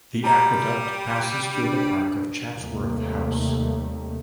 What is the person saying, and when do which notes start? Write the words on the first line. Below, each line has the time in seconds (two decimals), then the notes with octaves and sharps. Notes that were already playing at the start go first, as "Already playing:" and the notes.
The aqueduct passes through the park of Chatsworth House.
0.24 G3 A5 A#5
1.55 D4
2.55 D#2 C3 D#3 G3 A3 A#3